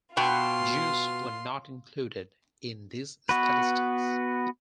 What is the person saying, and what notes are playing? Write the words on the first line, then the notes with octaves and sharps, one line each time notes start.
Jews were not included in these statistics.
B2 B3 F4 G5 C6
B3 F#4 B4